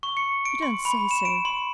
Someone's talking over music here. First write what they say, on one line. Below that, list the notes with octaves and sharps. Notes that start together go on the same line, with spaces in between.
You don't say so!
C#6
C#7
D7
C6
B5
E7
D7
C6